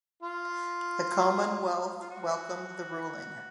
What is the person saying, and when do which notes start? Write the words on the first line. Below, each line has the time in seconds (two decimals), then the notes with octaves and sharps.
The Commonwealth welcomed the ruling.
0.22 F4
2.01 F4
2.10 F#4